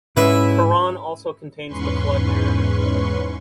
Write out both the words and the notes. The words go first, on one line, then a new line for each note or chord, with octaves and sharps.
Quran also contains the flood narrative.
G#2 C#4 E4 B4 E5
E2 G#2 C#4 B4 C6 C#6